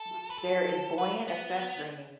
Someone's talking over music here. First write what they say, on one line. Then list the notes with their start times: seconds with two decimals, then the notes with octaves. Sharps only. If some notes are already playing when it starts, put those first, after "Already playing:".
There is buoyant ascent training.
Already playing: A4
0.30 B4
0.38 A4
0.98 B4
1.28 B3